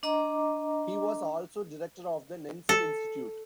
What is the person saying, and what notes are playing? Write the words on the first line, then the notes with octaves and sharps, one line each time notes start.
He was also director of the Nansen Institute.
D4 D#5 A#5 D6
A4